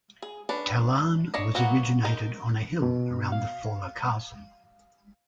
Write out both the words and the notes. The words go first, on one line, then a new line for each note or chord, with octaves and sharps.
Talarn was originated on a hill around the former castle.
G#4
C#4 D4 B4
D4 C#5 D#5
F#3 A#3 B3 F#4
D#4 A#4
B2
F5